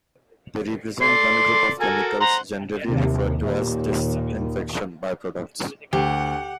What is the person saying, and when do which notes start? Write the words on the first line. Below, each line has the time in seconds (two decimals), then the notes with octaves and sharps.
They represent one group of chemicals generally referred to as disinfection by-products.
1.01 A3 D5 C6 C7
1.80 F#4 A4 A#4 G#5
2.20 C5 F#5 A#5
2.86 D#2 C3
3.40 D#2 A#2 D#3
5.93 D2 G4 F#5